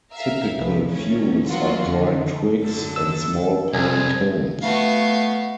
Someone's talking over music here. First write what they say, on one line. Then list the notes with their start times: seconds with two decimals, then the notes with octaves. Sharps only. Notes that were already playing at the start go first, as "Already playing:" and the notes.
Typical fuels are dry twigs and small pine cones.
0.12 E5 F5 A#5
0.57 C2 F2 B4
0.88 D#3 A3 C#4
1.46 F#3 A#3 B3 F4 F#4
1.86 F2 D3 D#3
2.60 F#2 D3 A4
2.96 E6
3.73 C2 G#4
4.62 A3 B3 F#4 F5